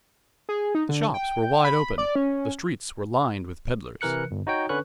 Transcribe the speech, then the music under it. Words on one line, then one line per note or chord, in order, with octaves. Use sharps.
The shops were wide open; the streets were lined with pedlars.
G#4
D#4
D3
G5
B5
D5
C#4
C3 E3 A#4 F#6 C#7
G1
D#4 F#4 C#5 G5
D3 C#4 B4 C#6 F#6